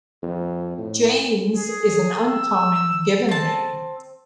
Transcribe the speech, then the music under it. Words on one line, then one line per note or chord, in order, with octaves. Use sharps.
Janes is an uncommon given name.
F2
A2
G#4
E6
C4 A5